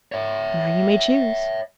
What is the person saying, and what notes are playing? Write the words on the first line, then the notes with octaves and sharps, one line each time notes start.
Now you may choose.'
C#5 E5